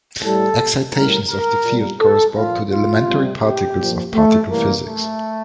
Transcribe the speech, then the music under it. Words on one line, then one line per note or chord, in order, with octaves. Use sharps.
Excitations of the field correspond to the elementary particles of particle physics.
A2 G3 A4
A2 G3 A#4
A#4
A#2 G3
A4
A#2 F3 F4
F4
C3 G3
G4
A#2 F3
A3
C3 E3 G3 A#3
A3